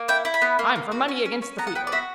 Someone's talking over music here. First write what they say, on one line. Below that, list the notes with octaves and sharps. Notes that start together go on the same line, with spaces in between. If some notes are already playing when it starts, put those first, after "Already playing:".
I'm for money against the field.
Already playing: A#3
E4 G5
E4
B5
B3
A#3
A#3
F#4
C#4
C#4
C#4
B3 A#5
F#5
B3 G5
D5
F#4 E5